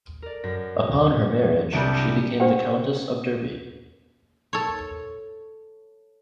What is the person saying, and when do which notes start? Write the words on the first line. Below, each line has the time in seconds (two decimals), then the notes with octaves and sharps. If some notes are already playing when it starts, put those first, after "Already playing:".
Upon her marriage she became the Countess of Derby.
0.22 A#4 D5
0.44 F#2 A#6
1.73 E1 C2 G3 D4 G6
2.40 D4 G4 C5 F#5 G5
4.53 A4 C#5